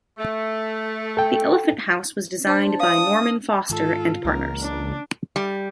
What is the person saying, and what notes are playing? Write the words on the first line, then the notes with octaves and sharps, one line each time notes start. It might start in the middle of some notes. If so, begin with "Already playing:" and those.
The elephant house was designed by Norman Foster and Partners.
A3
A4 G5
D4 C5 A5
F5 D#6
G#2 D#3 F4 A4
C#2 C#3 E3 A#3 A#4
D4
G3